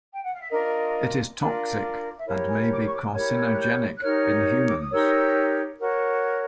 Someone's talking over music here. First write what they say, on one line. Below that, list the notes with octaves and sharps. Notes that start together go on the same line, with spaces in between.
It is toxic and may be carcinogenic in humans.
G5
F#5
F5
E5
D4 F4 A#4 D#5
D4 F4 A#4
E5
E4 G4 A#4 C#5 F5
G#5
D6
C#6
D6
E4 G4 A#4 C#5 G#6
G#6
F#6
G6
F#6
D#4 G4 A#4 C#5 F6
D6
D#6
D#4 G4 A#4 C#5 E6
F#4 A#4 C#5